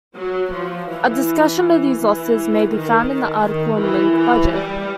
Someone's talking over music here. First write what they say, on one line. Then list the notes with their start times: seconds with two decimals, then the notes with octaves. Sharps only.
A discussion of these losses may be found in the article on link budget.
0.16 F#3
0.53 F3
0.88 E3
1.98 E3
2.70 D#3
3.43 D#3
3.79 E3
4.17 E3
4.53 G3